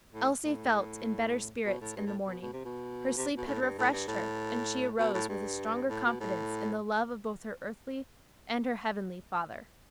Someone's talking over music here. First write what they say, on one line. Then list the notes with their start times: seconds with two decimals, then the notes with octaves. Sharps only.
Elsie felt in better spirits in the morning; her sleep had refreshed her, and she arose with a stronger confidence in the love of both her earthly and her heavenly Father.
0.14 A2
0.45 A2
1.66 B2
1.81 A2
1.96 G2
2.06 A2
2.26 B2
2.42 B2
2.53 C3
2.64 B2
3.17 C3
3.37 B2
3.47 A2
3.62 G2
3.78 A2
3.92 G2
4.08 A2
4.99 B2
5.14 A2
5.29 G2
5.89 A2
6.05 B2
6.20 A2